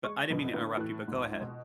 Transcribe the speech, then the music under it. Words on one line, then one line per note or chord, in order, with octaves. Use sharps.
but I didn't mean to interrupt you but go ahead.
G#3 C#6
F#2 B2 D3 F3 B3
A2 D3 B3 B4
A2 E3 F#6
C#2 G#2
B2